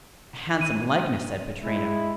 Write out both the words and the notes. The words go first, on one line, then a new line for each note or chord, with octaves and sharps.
"A handsome likeness!" said Pittrino.
D#7
G#3 E4